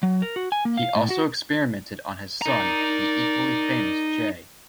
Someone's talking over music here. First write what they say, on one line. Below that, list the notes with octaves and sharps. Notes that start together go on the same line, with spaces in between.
He also experimented on his son, the equally famous J.
F#3
A#4
F#4
G#5
A#3
F5
A2
F#4
D#4 A#4 D5 A#5